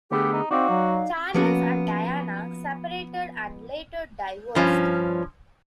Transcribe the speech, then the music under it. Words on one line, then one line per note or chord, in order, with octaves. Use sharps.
Charles and Diana separated and later divorced.
D3 A3 B3 G4 G#4
D#4
C4 D#4 F#4 D5 F5
F#3
F3 A#3 B3 C#4 F#4
G2 F3 C#4